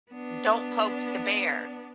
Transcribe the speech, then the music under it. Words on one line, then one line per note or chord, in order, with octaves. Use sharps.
don't poke the bear
B3 D4